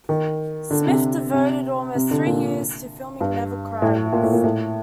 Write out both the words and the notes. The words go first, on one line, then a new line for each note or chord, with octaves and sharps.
Smith devoted almost three years to filming Never Cry Wolf.
D#3
D3
C3
C3
C3
D3
A#2
G2
A2
A#2
A2
A#2
A2